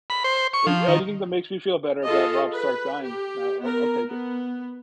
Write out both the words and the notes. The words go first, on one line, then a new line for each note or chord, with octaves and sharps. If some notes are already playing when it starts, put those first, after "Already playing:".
a anything that makes me feel better about Rob Stark dying, I'll I'll I'll take it.
B5
C5
C#6
F3
D#3
F4 G#4 A4 D#5
B4
G4
B3 A#4
B3